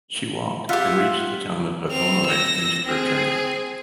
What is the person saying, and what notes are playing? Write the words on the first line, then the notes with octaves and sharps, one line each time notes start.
She walked and reached the town of Hagonoy into her journey.
F4 G4 E5 F#5
C4 F7
E6 A#6
C4 G#4